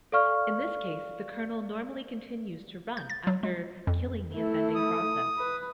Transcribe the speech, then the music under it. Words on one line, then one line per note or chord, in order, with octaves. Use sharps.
In this case, the kernel normally continues to run after killing the offending process.
A4 D5 F5 C#6 F6
G6
A6
F#3
G#3
F2
A3 E4
D#6
B4